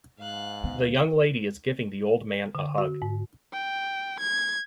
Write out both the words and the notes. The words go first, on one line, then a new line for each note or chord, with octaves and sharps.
The young lady is giving the old man a hug.
G#2 F5 F#6
D2 C#3 G#3 B3
D3
F#4
G#2
G5
G#6